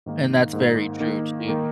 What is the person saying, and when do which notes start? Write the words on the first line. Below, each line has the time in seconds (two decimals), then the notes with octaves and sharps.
And that's very true too.
0.06 G#2 D#3 A#3 D#4
0.53 G#2 D#3 A#3 D#4
1.00 D#3 A#3 D#4
1.48 D#3 A#3 D#4